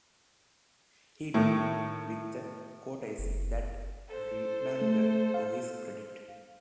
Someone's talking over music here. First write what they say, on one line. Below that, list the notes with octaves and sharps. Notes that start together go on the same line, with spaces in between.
He did it with a courtesy that redounded to his credit.
A2 D#3
F#1
A4 C5
A3
F5